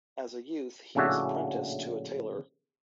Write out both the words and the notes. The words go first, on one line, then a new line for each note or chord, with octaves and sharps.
As a youth, he was apprenticed to a tailor.
A#1 A2 C#3 D4 F#4 E5